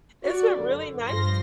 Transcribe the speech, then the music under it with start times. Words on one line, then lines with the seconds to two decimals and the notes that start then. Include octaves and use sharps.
It's been really nice
0.23 F#4 D5
0.56 F#2 D3
1.05 G2 F3 C6 A#6